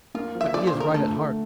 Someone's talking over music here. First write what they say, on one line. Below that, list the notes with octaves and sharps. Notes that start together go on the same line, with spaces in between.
But he is right at heart.
A#3 F4
F3
E5
F3 D5
C5
D3
A#4
A3 A4
A3